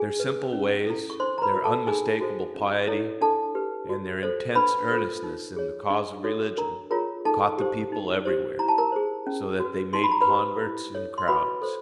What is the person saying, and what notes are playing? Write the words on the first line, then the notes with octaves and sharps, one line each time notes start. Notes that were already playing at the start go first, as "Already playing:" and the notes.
Their simple ways, their unmistakable piety, and their intense earnestness in the cause of religion caught the people everywhere, so that they made converts in crowds.
Already playing: G#4 G#5
B4
C#4
E4 A4
C#6
D4 C5 C6
A#5
B4 B5
F#4 A#4
A4 A5
D#4 G#4 G#5
F#4 A4 C5
C#4
E4 A4 C#5
D4 A4 A5
G4 B4
F#4
A4 C5
D4 B4 B5
F4 A4 C5
D#4
G#4 C#5
D4
F#4 A4 C#5
D4 A#4 A#5
F4 G#4 A#4 C#5 A#5
D#4 A4 A5
G4 C5
D#4
G4 C5
E4 A#5
A5
A#4 A#5
G#4 C5
C#4
F#4
B4
D#4 C6
B5
A#5
B4 B5
G4 C5
E4
A4 C#5
C6
F#4 B4 B5
A4 C5